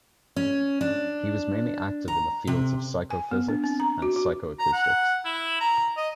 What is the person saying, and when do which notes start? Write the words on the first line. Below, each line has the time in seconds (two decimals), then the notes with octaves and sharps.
He was mainly active in the fields of psychophysics and psychoacoustics.
0.36 C#4
0.81 D4
2.08 A#5
2.47 C3
3.10 G#5
3.31 B3
3.49 D4
3.64 C4
3.80 A#5
4.02 F#4
4.16 F#4
4.59 A#5
4.73 F#5
5.25 E4
5.60 A#5
5.97 D#5